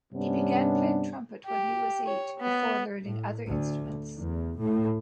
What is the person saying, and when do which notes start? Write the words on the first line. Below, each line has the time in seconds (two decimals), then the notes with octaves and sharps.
He began playing trumpet when he was eight, before learning other instruments.
0.13 G2 C3 B3 C#4 D4
1.47 G4
2.07 C#5
2.40 B3
3.07 A2
3.46 D2
4.17 E2
4.59 A2